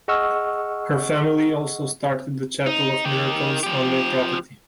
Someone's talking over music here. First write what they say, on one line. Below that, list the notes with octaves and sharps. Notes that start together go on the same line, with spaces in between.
Her family also started the Chapel of Miracles on their property.
G#4 D#5 F#5 C#6 E6 F6
D#4
D#3 G4
F3 G4